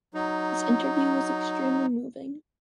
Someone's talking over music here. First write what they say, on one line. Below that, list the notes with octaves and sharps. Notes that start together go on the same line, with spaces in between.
This interview was extremely moving.
F#3 D#4